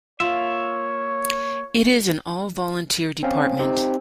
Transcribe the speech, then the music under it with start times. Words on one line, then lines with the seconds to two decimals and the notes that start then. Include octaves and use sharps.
It is an all volunteer department.
0.20 A#3 F4 C#5 E5
3.23 C4 C#4 F5
3.59 C4 D#4 G4